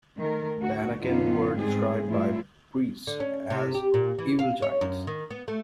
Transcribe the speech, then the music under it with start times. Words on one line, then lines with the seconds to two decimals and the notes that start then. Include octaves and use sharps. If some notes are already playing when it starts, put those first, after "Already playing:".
The Anakim were described by priests as evil giants.
0.18 D#3 A3 A#4
0.58 D2 F#4
1.01 F#2 D3 B3 C#4 D#4 F4
1.55 G#2 G3 G#3 B3 C4 G#4
2.07 A2 E3 A3 E4 F4
3.07 D3
3.20 C#4
3.50 C3
3.75 G4
3.94 A#2
4.19 E3
4.39 F5
4.62 C#5
4.81 F#2
5.07 D#3
5.31 B3
5.48 A3